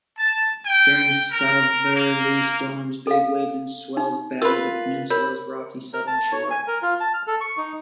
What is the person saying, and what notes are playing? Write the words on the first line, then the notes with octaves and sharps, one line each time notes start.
During southerly storms, big waves and swells batter the peninsula's rocky southern shore.
A5
G5
A#4
A#3
A4 F5
D#4
F4 A#4 B4
A#4 C#5 B5
A#4
A5
C#5
G#5
A#4
F4
A5
F6
A4
C#6
D#4